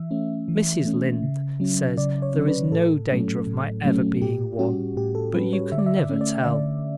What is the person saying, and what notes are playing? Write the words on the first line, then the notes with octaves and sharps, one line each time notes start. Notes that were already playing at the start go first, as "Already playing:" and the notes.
Mrs. Lynde says there is no danger of my ever being one, but you can never tell.
Already playing: E3 E5
A3 C#4
E3
A3 C#4
C#3
F#3 C#4
C#3 D5
C#5
F#3 C#4
B4
A2 A4
F#3 A3 C#4
A2
F#3 A3 C#4
A2 G4
G3 C#4 F#4
A2 G4
A4
G3 C#4 B4
C#5
D3 E5
D5
E5
E5
A3 C#4
D5
D3 D5